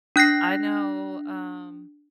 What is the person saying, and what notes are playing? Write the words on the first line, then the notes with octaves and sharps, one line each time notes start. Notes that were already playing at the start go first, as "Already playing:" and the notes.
I know, um,
D4 F#6 A#6 C7